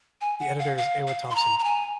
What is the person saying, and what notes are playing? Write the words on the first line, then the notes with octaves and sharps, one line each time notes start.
The editor is Ewa Thompson.
G#5
F#5
F5
F5
F5
C6
A#5
A#5
G#5